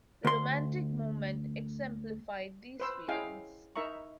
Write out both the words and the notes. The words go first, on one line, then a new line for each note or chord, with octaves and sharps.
The Romantic movement exemplified these feelings.
D2 C6
B4 C5 E6
C#4 E4 G#4 D#5 F5 G5
D#4 A#4 E5 A#5 C#6